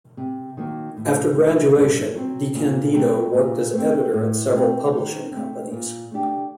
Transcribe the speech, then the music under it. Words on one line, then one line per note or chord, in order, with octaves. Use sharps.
After graduation, DeCandido worked as editor at several publishing companies.
C3
D#3 F#3 A#3
A2
F#3 A3
G2
F#3 C4
A#2
F#3 A3 C4
A#2
A3 C4
A2
A3 C4
D#3
A3 C4
A#2
A3 D4 G4